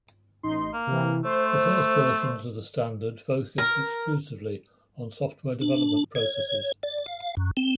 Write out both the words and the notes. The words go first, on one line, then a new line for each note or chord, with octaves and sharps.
The first versions of the standard focused exclusively on software development processes.
A1 D#4 C6
A#3
C3 E3
A3 C5
A#4
D4
C#5
D5
F5
F#2
C4